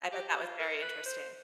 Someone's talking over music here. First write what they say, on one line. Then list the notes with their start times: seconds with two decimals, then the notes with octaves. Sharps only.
I bet that was very interesting.
0.12 G4
0.28 G4
0.43 F4
0.59 A#4
0.82 B4
1.06 C5